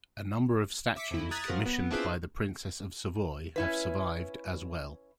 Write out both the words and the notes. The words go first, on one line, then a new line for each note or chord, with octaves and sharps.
A number of statues commissioned by the Princess of Savoy have survived as well.
E5 D6 B6 C#7 D7
F2 E4
A#5 D#6 F#6 G#6 A6 B6
F3 F#3 A#4
B3
C4 D4 E4 F4 G#4 B4
C#4 E4 B4